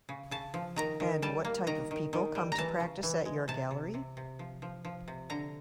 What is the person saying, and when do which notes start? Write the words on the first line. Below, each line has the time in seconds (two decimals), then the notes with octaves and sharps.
And what type of people come to practise at your gallery?
0.09 C#3
0.31 C#3 A5
0.54 F3
0.76 D#3 A#5
1.00 D#3
1.22 G3 A5
1.45 A#3
1.67 D#3 A#5
1.91 D#3
2.13 D#3
2.35 G3
2.52 A#5
2.58 E3 A5
2.80 C#3
3.03 E3
3.25 G#3
3.48 C3 A5
3.71 C3
3.94 C3
4.17 C3
4.39 F3
4.62 F3
4.85 F3
5.08 C3
5.30 D3 A#5